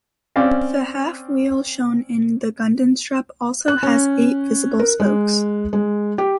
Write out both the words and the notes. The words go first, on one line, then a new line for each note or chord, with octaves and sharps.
The half-wheel shown in the Gundestrup also has eight visible spokes.
C4 C#4 D5 F5
F#6
C#4
A#4
G#3
G#3
G4